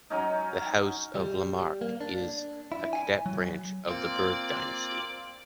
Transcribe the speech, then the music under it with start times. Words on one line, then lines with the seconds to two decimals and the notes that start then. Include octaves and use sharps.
The House of La Marck is a cadet branch of the Berg dynasty.
0.10 F#3 C#4 D#4
1.15 G3
1.81 A#3
2.01 D4
2.72 E4
2.93 G#5
3.26 F#3
3.88 A#3 C4 F4 D5